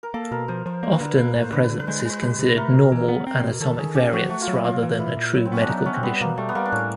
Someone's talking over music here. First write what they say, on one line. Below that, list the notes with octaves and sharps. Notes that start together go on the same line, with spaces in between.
Often their presence is considered normal anatomic variance rather than a true medical condition.
A#4
A#3 A4
B2 A#4
F3 C5
F3 C5
A#3 C5
B4
D3 A#4
B4
A#3
A2
C5
D3 B4
B4
D3
B4
G#3 C5
B4
G#3 C5
C3 B4
C3
A3 A#4
B2
E3
B3
C4
B2
D#3 A4
D#3 G#4
C#4 G4
F3 F#4
A3 F#4
F4
F#3
E4
A#3 F4
E3
A#2 E4
A#2
F#3
C4
B3 C#4
D4
F#3 D#4
D4
B3 C#4
C4
G3 B3
B2 A#3
G3 A3
B3
G3 A#3
D4
A2 C#4